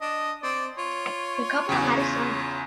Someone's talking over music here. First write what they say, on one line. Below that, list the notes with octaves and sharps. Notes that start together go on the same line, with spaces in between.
The couple had a son.
D4 D#5
C4 D5
F4 C#5
E2 C#3 F#3
F4